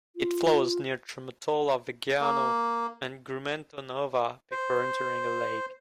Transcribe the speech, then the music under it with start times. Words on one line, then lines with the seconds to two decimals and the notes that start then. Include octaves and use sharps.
It flows near Tramutola, Viggiano, and Grumento Nova before entering a lake.
0.16 F4
2.21 A#3
4.52 C5